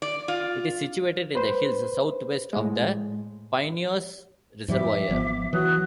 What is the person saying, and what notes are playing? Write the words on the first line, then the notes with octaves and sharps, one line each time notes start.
It is situated in the hills southwest of the Pineios reservoir.
D5
F4
B4 C5
A2 G#3
G#2 F3 G3 E5 D6
G#1 F3 B3
E3 F#3 F#4 D#6 F#6